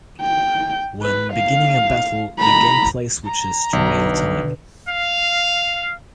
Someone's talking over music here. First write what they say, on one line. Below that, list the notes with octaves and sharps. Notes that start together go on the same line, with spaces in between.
When beginning a battle the gameplay switches to real time.
G5
B4
F5
A#5 B5
A#5
B1 B2 D3
F5